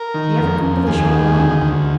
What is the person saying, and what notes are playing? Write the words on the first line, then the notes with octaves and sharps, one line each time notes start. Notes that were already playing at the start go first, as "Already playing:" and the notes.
"Do you ever come to the shore alone?"
Already playing: A#4
D#3
F2
F2
D#2 G#4
D#3
D2
D2